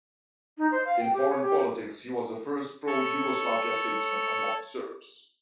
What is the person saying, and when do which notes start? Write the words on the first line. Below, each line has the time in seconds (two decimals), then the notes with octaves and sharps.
In foreign politics, he was the first pro Yugoslavia statesman among Serbs.
0.58 D#4
0.71 C5
0.86 F5
1.00 G5
1.14 G4
1.29 C#5
1.42 G4
2.87 A4 C#5